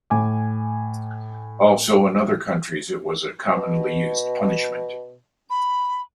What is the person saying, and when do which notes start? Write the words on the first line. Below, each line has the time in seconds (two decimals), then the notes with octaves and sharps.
Also in other countries it was a commonly used punishment.
0.10 A2 G#5 D6
3.51 B2
5.50 B5